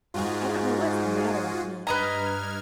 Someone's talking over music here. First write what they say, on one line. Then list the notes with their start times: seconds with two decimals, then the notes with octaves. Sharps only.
I don't know what's the matter with me.
0.14 G#2 F4 F#4 G#4
1.87 G2 B4 D#5 A#5 F6 G#6